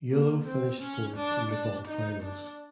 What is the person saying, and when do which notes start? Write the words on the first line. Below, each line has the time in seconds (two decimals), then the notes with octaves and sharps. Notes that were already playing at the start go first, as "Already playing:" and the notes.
Yulo finished fourth in the vault finals.
0.10 A#3
0.45 C4
0.80 C#4
1.16 D4
1.52 D4
1.87 D#4
2.22 D4